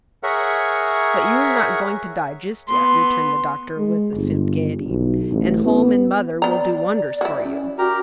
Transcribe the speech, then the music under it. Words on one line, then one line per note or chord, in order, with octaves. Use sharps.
"But you are not going to die just yet," returned the doctor, with assumed gayety; "and home and mother will do wonders for you."
G#4 A#4 C#5 E5 F#5
B3 C6
G#3
G1
B1
A1
B3
B3 D5 A#5
F#3 E4
C#4
F#4 G4 A#4 A#5